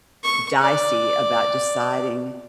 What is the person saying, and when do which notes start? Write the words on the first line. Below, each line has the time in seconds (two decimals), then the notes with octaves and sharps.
dicey about deciding
0.24 C#6
0.61 D5